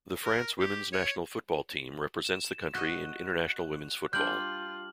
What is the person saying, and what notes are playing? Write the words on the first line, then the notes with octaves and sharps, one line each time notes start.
The France women's national football team represents the country in international women's football.
A#4
G4
C#5
E7
F#4 D#5 F#6
G3 D4 F4 F6 G6 F#7